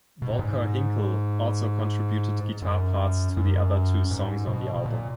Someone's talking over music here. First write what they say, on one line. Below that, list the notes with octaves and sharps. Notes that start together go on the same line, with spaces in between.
Volker Hinkel also contributed guitar parts to the other two songs on the album.
B2
A#2
G#2
F#2
F#2
G#2
B2
B2
A#2